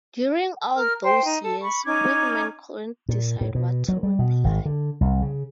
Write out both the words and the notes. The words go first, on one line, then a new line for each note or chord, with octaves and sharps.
During all those years, Whitman couldn't decide what to reply.
A#4 F6
C5 G5 C6
D#4
A4
B5 C#6
C#4 D#4 D6 G#6
A#2
A2
B2
F#3
G3
B2
G#1
D3
C2
C#3